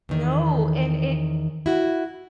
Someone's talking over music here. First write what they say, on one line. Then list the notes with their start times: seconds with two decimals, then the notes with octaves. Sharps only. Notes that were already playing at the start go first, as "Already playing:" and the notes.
No. And it
0.09 E2 D#3
1.66 E4 F#4